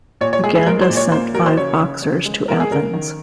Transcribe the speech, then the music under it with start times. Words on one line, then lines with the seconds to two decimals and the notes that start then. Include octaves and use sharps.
Uganda sent five boxers to Athens.
0.21 A#2 C#5
0.33 C#5
0.44 G#3 G#4
0.55 G#4
0.66 G#3 A#4
0.81 C5
0.89 A#2
0.97 C#5
1.12 A#3 C5
1.35 F#3 A#4
1.46 C5
1.57 C#3 C#5
1.80 C#3
2.02 C#3
2.25 G#3
2.48 G#3 A#4
2.60 G#4
2.71 C#3 A#4
2.93 D#3